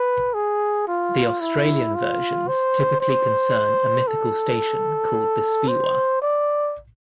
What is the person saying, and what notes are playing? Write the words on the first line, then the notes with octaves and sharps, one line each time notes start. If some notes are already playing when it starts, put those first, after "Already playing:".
The Australian versions typically concern a mythical station called The Speewah.
Already playing: B4
G#4
F4
E4
F4
C5
C5
A4
C5
D5